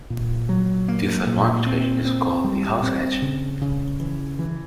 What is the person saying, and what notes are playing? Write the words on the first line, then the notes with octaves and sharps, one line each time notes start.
This advantage is called the "house edge".
A#2
F#3
A#3
A#2
C4
C4
G3
C4
C#3
C#3
E3
E3